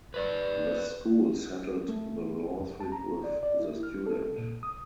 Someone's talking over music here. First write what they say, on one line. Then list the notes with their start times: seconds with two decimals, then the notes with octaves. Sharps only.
The school settled the lawsuit with the student.
0.14 B4 D5
1.88 A3
2.60 F2
2.80 A5
2.92 A#5
3.24 D5
3.43 D5
3.59 E4
3.83 F6
4.07 A4
4.38 A#2
4.63 D#6